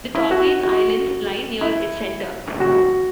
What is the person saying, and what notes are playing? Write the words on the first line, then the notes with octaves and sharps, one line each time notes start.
The Togian Islands lie near its center.
E4
F#4
F#4
E4
F#4